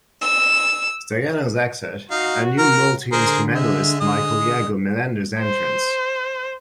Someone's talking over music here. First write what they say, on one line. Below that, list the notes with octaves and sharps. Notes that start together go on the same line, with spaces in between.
Staiano's exit, and new multi-instrumentalist Michael Iago Mellender's entrance.
E6
D#4 F#4 F5
A#4 F6
D3 G#4 A#4 C5
G#3 E5
G#3 D#6
C5